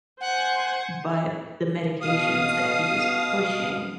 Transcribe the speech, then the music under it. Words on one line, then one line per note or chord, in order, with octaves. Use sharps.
but the medications that he was pushing
C5 F#5 G#5
B2 F5 D#6